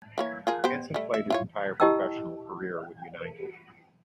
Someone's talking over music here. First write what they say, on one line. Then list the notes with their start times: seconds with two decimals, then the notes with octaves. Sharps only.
Hanson played his entire professional career with United.
0.18 E3 A#3 C#5
0.47 F4 G#4 A#4
0.64 B3 G4 C5
0.94 G3 A3
1.14 E5
1.30 E4 F4 C#5
1.80 E4 G4 D#5 G5 A5 E6